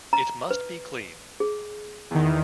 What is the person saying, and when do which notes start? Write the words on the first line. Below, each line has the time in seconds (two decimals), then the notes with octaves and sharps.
It must be clean!
0.13 A#5
0.51 B4
1.40 G#4
2.11 E2 D#3